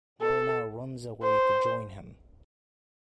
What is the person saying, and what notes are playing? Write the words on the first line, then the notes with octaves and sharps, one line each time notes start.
Merna runs away to join him.
A4
C5